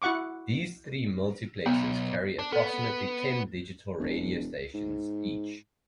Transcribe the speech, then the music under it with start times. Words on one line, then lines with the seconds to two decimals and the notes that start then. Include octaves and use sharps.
These three multiplexes carry approximately ten digital radio stations each.
0.02 E4 F#4 F#5 C#6 D6
1.66 B1 B3
2.39 D4
2.52 B3 A4
3.99 E1
4.74 G#2